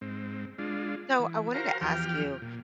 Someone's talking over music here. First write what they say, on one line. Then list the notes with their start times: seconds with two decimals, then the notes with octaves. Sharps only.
So, I wanted to ask you,
0.01 G#2 C4
0.58 G#3 D4 F4
1.19 E3
1.54 F#4 A#4 C5 F5 A#5
1.81 E2 F3 G4 G5 F6
2.42 A#2